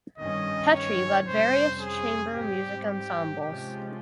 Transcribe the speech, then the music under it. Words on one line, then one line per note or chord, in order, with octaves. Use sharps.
Petri led various chamber music ensembles.
G2 D#3 G3 C#4 D#5
C#5
F2 C3 G3 C#4 C5
G#4
G#2 G3 C4 G4
G4
C3 F3 G#3 C#4 G4